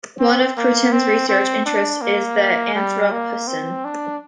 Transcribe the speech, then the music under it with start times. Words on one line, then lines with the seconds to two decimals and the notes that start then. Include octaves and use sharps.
One of Crutzen's research interests is the Anthropocene.
0.19 C4
0.57 A#3
0.92 C4
1.29 C4
1.66 D4
2.02 A#3
2.75 G3
3.11 A#3
3.48 C4
3.85 D4